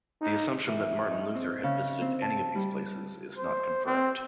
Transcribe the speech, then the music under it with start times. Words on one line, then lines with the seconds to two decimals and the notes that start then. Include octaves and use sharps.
The assumption that Martin Luther had visited any of these places is not confirmed.
0.21 D#4
0.68 E3
1.10 D#4
1.35 C4
1.64 C#3
2.02 C4
2.22 A5
2.55 G3
3.37 C5
3.85 C4